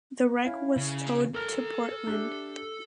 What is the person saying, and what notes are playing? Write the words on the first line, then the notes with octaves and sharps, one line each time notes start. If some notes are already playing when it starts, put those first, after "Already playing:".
The wreck was towed to Portland.
C#4 E4 F5
C#3
A4 A#4 A#5 F6
D4 G4 E5